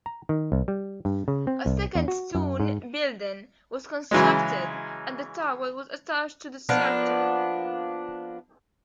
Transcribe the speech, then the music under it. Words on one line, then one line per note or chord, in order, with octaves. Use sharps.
A second stone building was constructed and the tower was attached to the structure.
A#5
D#3
C2
G3
G2
C#3
C4
C2
E2
F#4
F#2
G#2
C#3 E3 F#3 G#3
F3 A#3 B3 D4